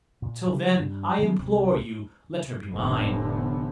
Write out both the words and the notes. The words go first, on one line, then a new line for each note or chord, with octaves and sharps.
Till then, I implore you, let her be mine.
A#2
C#3 E3 F3 G3
G2
D#3 F#3 B3 C#4
C2 C3
F1 A2 D3 B3